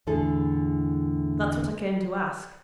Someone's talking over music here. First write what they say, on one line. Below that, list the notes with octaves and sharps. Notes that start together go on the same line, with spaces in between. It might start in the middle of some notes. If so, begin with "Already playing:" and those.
That's what I came to ask.'
E2 A2 D3 E4 G#4 A4